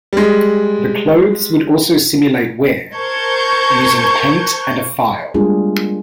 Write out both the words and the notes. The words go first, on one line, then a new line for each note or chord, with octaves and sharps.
The clothes would also simulate wear using paint and a file.
G3 G#3
A#4 C5 A5 C#6 G6 G#6
G3 G#3 A#3 D4 F4 G#4